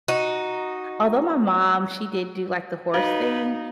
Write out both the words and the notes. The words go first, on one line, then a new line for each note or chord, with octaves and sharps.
although my mom, she did do like the horse thing,
D#4 F#4
D#4 F#4 B4 F5